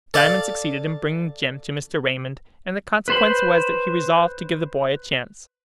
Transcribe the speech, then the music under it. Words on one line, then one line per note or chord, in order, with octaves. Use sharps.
Diamond succeeded in bringing Jim to Mr. Raymond, and the consequence was that he resolved to give the boy a chance.
A4 D5 F5
B4 C5 B5